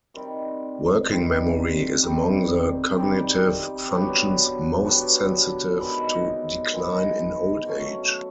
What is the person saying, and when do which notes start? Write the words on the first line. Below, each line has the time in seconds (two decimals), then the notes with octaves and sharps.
Working memory is among the cognitive functions most sensitive to decline in old age.
0.14 C3 D#3 G3 C4
1.08 C3 D#3 G3 C4
2.03 G3 C4 D#4 G4
2.97 G3 C4 D#4 G4
3.90 F#3 B3 D4 G4
4.85 F#3 B3 D4 G4
5.79 D#3 G#3 B3 E4
6.73 D#3 G#3 B3 E4
7.67 F#3 A3 C#4